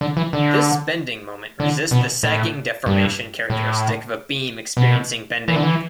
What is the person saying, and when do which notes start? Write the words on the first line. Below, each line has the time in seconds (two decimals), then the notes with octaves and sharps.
This bending moment resists the sagging deformation characteristic of a beam experiencing bending.
0.01 D3
0.17 E3
0.33 D3
1.60 D3
1.91 B2
2.23 A2
2.86 G2
3.50 A2
4.77 B2
5.48 E3
5.56 D3
5.63 E3